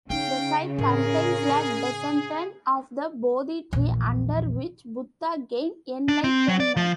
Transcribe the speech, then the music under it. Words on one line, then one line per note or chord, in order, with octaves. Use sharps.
The site contains a descendant of the Bodhi Tree under which Buddha gained enlightenment.
C#3 D#4 F5 G5
A2 G#4 A#4
A#1 E2
D4
C4
F#3
D5
F3